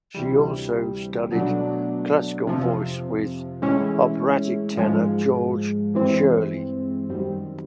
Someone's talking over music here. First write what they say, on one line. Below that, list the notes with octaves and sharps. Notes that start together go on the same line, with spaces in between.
She also studied classical voice with operatic tenor George Shirley.
D2 C3 E3 G3
B2 F#3 A3 D4
F2 C3 F3
A2 E3 G#3 C#4 E4
G#2 F3 G#3
G2 E3 G#3 C4
F#2 D#3 G3 C4